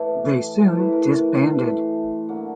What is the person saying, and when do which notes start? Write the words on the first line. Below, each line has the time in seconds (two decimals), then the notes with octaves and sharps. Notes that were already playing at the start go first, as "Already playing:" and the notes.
They soon disbanded.
Already playing: A2 E3 A3 G4
0.66 A2 E3 A3 C5
0.80 B4
0.92 A#4
1.05 B4
1.47 A2 E3 A3 C5
2.29 D3 F#3 A#3